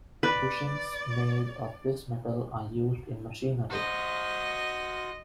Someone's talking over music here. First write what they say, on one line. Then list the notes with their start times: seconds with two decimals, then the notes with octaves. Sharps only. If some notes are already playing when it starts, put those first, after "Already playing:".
Bushings made of this metal are used in machinery.
0.23 B4 D5
3.71 F#4 C5 D#5